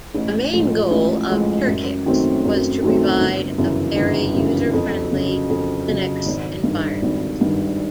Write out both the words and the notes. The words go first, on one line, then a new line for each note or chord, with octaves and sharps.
The main goal of Turkix was to provide a very user-friendly Linux environment.
A1
A2 F3 G#3
A1
A2 F3 G#3
F#2
D#3 F#3 A3 C4
F#2
D#3 F#3 A3 C4
G1
F#2 C#3 E3
G1
F#2 C#3 E3
F2
C#3 F#3
F2
C#3 F#3
G#1
G2 D#3
G#1
G2 D#3